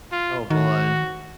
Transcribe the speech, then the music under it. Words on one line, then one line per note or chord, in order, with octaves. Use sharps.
Oh, god.
F4
D#3 F#4